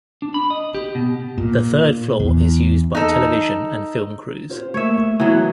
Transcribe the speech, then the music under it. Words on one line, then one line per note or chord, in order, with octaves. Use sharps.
The third floor is used by television and film crews.
D4
B5
D#5
G4
B2
A#2
E2
D#4 A4
F4 G4 C5
A3 A#3 C#5 E5
E3 F#3 B3